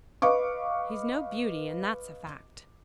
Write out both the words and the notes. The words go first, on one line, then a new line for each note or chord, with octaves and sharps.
"He's no beauty, and that's a fact."
B4 D#5 F5 C#6 D6